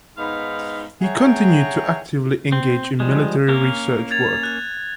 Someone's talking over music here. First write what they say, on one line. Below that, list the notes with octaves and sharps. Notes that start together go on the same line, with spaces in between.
He continued to actively engage in military research work.
G#2 B3 D#4 F5 B5
G#4 C#5 E5 F#5 G5 A#5
C4
F3 G3 G#3
A#3 C#4 A#4
G#6 A6 F7
F#6